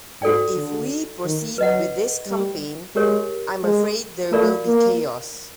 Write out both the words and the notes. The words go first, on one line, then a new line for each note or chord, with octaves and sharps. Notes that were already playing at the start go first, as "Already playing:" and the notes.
If we proceed with this campaign, I'm afraid there will be chaos.
G#2 F#4 A4 D5 G5
D3
D#3
F#3 B4 D#5 F#5
G3
G#3 G4 A#4 C#5
G#3
A3 F4 A#4 D5 F5
A#3